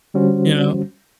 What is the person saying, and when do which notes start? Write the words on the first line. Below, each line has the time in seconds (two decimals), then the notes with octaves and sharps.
You know?
0.14 D3 G3 C#4 F#4 C5